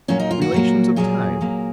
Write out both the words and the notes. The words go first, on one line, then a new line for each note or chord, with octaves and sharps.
Relations of Time.
A#2 F#3 A#3 C#4
D#4
F4
F#4
A#2 F#3 A#3
A#2 F#3 A#3 G#4
A#2 F#3 A#3